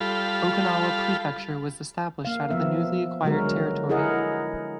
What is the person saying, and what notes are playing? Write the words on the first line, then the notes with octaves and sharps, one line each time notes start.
Okinawa Prefecture was established out of the newly acquired territory.
G3 F4 A4 F5 B5
A#3 F5
F3 B3 E5
D3 F#3 G#3 F#4 A#4
E4 G#4 A#4 D#5 F#5